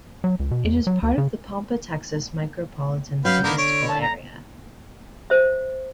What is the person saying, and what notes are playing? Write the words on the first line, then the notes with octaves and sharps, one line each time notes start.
It is part of the Pampa, Texas Micropolitan Statistical Area.
F#3
C#2
B2
E2
F#3
D2
C#3
F#3 C#4 B4 F5 G6
D3 A#3 B3 A#4
C#5 D7
A5
A#5
C5 C#5 E5